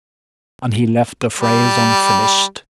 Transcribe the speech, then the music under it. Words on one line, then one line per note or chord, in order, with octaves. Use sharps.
And he left the phrase unfinished.
G3